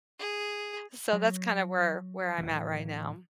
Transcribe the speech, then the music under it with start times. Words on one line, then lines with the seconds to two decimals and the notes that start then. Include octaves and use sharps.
So, that's kinda where where I'm at right now.
0.19 G#4
1.13 F#3
2.38 D1 G1 E3